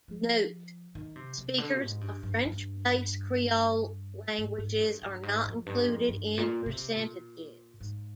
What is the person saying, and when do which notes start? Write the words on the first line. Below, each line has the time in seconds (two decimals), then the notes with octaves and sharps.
Note: speakers of French-based creole languages are not included in percentages.
0.08 F3
0.95 D#3
1.16 C3
1.38 C3
1.58 D3
1.80 G#2
2.01 G2
2.23 G2
2.45 G2
4.38 G#2
4.58 G#2
4.80 G2
5.02 G2
5.23 G#2
5.45 F2
5.66 G2
5.88 F2
6.08 G2
6.38 A#2
6.66 C3
6.95 A#2
7.81 G#2